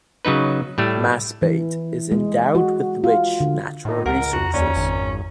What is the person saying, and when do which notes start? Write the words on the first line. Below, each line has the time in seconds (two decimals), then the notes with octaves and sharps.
Masbate is endowed with rich natural resources.
0.25 C#3 F#3 D#4 B4
0.78 A2 G3 A3
1.42 E3
2.11 G#3
2.55 F#4
3.04 F4
3.40 D3
3.85 A2 D#4
4.06 C#2 A#4 F#5 A#5
4.33 F2 F#4
4.54 D#2 C#4 D5
4.76 G#1